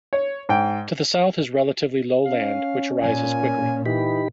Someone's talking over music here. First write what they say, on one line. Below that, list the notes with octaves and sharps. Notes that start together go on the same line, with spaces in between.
To the south is relatively low land, which rises quickly.
C#5
G#2 G5
C#4 F5
A#2 G#5
E3 D#4 G4 B5